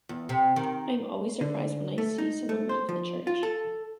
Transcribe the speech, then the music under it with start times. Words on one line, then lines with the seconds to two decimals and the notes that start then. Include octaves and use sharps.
I am always surprised when I see someone leave the church.
0.09 E2
0.29 C3
0.56 D#3
1.41 D3
1.98 A3
2.18 D#4
2.49 A3
2.69 C5
2.89 F3
3.27 F4
3.43 A4